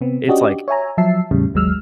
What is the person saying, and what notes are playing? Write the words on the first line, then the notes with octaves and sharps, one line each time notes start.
it's, like,
C3 B3 C4
C#4 D4 F#4 G4 D5 D#5
C#5 E5 G#5 A#5
F3 F#3 E5 A5 C7
E2 A2 C#3 G3
G#1 D#2 F#3 G#3 E6 F6